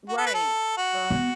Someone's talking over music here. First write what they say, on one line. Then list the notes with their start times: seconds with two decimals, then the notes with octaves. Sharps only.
Right, so
0.09 F#4
0.18 A4
0.26 B4
0.34 A4
0.77 F#4
1.11 B3